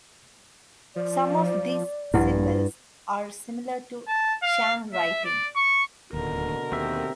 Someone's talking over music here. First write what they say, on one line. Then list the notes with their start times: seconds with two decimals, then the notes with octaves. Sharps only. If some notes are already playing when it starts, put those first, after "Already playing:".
Some of these symbols are similar to Shang writing.
0.96 F3 D5
2.14 A#1 G2 E4 B4 F#5
4.08 A5
4.43 F5
4.94 E5
5.25 D5
5.56 C#6
6.13 D1 D#2 B2 D3 A#4
6.72 D#2 C4 G4 E5